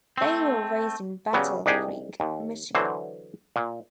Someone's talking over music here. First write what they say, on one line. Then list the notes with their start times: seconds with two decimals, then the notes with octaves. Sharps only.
They were raised in Battle Creek, Michigan.
0.18 A3 C4
1.33 C#3 F#3 G3 B3
1.66 C2 D4 D#4 G4 G#4 G5
2.20 D#2
2.75 D3 E3 F#3 C5
3.56 A#2